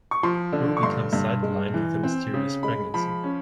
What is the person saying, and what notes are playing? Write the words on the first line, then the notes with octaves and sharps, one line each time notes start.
Drew becomes sidelined with a mysterious pregnancy.
C#6
F3 C6
D3
C#6
G2 C6
G2
G#3
E3
C4
C#3
G#3 B5
F3 B5
C#4